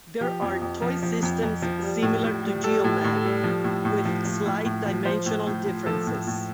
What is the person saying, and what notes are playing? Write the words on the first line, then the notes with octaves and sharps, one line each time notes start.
There are toy systems similar to Geomag, with slight dimensional differences.
F3 G4
F2
F2
F3
F3
F2
F2
F3
G3
A2
A2
G3
G3 A4
A2
A2
A4
G3
F3
A2
A2
F3
F3
A2
A2
F3
F3 C5
A2
A2
F3
F3 A4
A2
A2